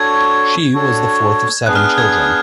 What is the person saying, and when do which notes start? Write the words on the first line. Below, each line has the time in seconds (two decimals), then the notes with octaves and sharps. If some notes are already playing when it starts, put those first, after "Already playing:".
She was the fourth of seven children.
Already playing: D4 F#4 A4 C#5 G#6
0.74 D4 F#4 A4 C#5
1.66 B3 D4 G#4 F#6
1.75 F6
1.84 F#6
1.98 G#6